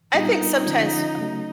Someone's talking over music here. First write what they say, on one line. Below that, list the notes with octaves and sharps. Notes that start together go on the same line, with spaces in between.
I think sometimes
A#2 G3 B3 D4 D#4 F4
D3 F3 G#3 C#4 F4
C#3 F#3 A3 C#4 F#4